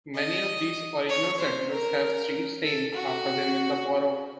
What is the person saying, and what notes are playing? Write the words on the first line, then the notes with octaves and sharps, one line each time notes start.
Many of these original settlers have streets named after them in the borough.
D#5
C#5
C5
A#4
A4
F#4